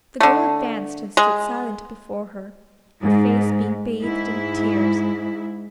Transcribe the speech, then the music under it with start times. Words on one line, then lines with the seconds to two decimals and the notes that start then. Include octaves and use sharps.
The girl advanced and stood silent before her, her face being bathed in tears.
0.20 D3 A3
1.17 G#3
3.02 G#2
4.03 G#2 E4